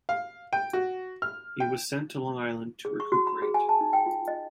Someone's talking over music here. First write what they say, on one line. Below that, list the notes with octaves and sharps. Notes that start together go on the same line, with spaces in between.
He was sent to Long Island to recuperate.
F5
G5
F#4
F6
G5
G#4
C#6
F#4
B5
G#4
G#5
A5
D#4
G5
F4
D#5